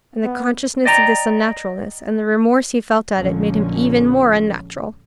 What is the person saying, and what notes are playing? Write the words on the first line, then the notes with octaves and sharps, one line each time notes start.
And the consciousness of this unnaturalness, and the remorse he felt at it, made him even more unnatural.
B3
D5 D#5 G5 A5 A#5
A#1 A#2 D3 F3 G#3 C#4